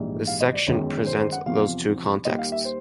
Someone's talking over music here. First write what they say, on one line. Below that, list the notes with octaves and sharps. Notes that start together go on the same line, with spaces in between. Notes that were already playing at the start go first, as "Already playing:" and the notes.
This section presents those two contexts.
Already playing: A#1 G#2 E3 G3
F5
D#5
D5
G1 F#2 D#3 G#3 C#5
C5
C5
F#5
E2 C3 F3 F5
D#2 D#3 G3 D#5
F5
E5
C5